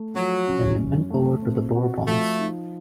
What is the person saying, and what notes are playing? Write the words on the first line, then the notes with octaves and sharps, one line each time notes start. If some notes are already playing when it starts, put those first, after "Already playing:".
Then he went over to the Bourbons.
Already playing: A3
F3 F#3
C#4
F#2
A3
C4
F#4
F3 A3
D#4